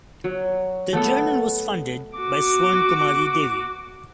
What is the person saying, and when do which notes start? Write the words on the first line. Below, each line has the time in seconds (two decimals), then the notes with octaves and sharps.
The journal was funded by Swarnakumari Devi.
0.24 F#3
0.93 A3 B3 A4
2.18 F#4 D6